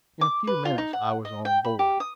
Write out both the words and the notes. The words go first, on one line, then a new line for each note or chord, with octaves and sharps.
In a few minutes I was on board.
D6
B4
F4
D#4
F#5
D#5
G5
B5
G4
D#6